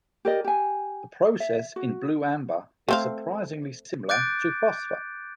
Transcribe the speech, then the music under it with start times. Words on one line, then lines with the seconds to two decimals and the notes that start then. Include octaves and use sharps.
The process in blue amber is surprisingly similar to phosphor.
0.25 G4 A#4 D5 D#5
0.44 G4 G#5
1.40 E5
1.76 F#4
2.89 A3 C4 F5
4.09 D6 F#6 G6 A6 D7